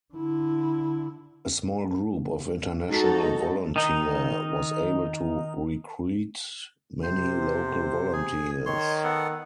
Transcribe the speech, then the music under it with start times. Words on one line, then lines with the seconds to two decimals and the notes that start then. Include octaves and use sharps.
A small group of international volunteer was able to recruit many local volunteers.
0.14 D3 E4
2.86 G#3 D#4 F#4 A4
3.76 D#3 D#4
7.03 C3 C5
8.13 G#4
8.66 D#3 C#5 C6
9.04 B3 A4 F#5